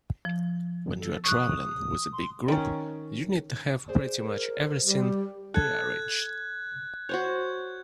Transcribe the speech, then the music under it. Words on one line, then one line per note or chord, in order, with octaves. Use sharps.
When you are traveling with a big group, you need to have pretty much everything prearranged.
F3
A4
C#6 D#6 F#6
C6
D#3 C#4
G#4 C5 D5
A#4
G3 G4
A4 F#6 G#6
F#4 C5 C#5 G6